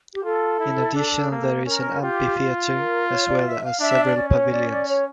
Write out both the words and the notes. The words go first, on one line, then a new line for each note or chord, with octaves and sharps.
In addition, there is an amphitheater as well as several pavilions.
G4
F4 A4
E4
D4
A#3
C#4 A#4
F4 G4
A#4
C#5
D5
E5
F5
D4 E5
D5
C#4
C#5
D5
D5
C#5